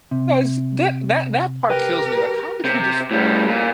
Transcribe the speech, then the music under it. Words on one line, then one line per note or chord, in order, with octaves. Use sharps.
No, is that that that part kills me, like, how could you be just
C3
G4 A#4 B4 G5
C3
A2 G3
A#2